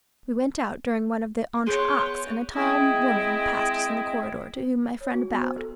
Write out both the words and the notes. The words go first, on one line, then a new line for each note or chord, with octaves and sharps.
We went out during one of the entr'actes, and a tall woman passed us in the corridor, to whom my friend bowed.
B3 G#4 C#5 C6 F#6 G6 D7 D#7
G#3 C4 E4 D#5 G5
C#5
F#4
B3
C5
A4